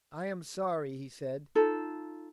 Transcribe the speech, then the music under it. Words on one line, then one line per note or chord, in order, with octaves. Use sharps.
"I am sorry," he said.
D#4 F4 A4